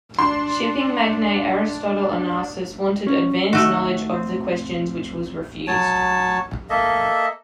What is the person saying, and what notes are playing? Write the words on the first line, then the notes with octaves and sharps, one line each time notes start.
Shipping magnate Aristotle Onassis wanted advance knowledge of the questions which was refused.
D4 C6
C#4
D#3 A3 F#4
C4
F#3 C#5 A5
A#3 A4 D#5 E5